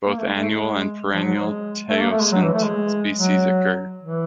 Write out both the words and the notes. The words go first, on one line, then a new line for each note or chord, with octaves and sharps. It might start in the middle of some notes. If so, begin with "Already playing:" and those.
Both annual and perennial teosinte species occur.
A#3
A3
G#3
A3
G#3
F3
F#3
G#3
A3
A#3
A3
G#3
F#3
E3
A3
G#3
F#3
E3